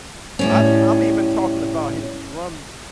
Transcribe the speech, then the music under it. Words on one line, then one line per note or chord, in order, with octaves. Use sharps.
I I'm even talking about his drums
A2 G3 C#4